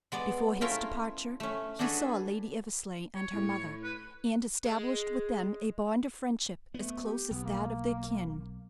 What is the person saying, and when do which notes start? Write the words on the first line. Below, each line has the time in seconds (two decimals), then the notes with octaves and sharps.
Before his departure he saw Lady Eversleigh and her mother, and established with them a bond of friendship as close as that of their kin.
0.12 G#3 B3 D5
0.61 A3 C#4 E4 F4 A#4
1.40 A3 C#4
1.79 D4 F#4 G#4 A4 B4
3.16 C#5
3.33 A2
3.84 B4
4.64 G#3
6.74 A3 B3
7.04 G4
7.31 B1 B3
7.44 A#3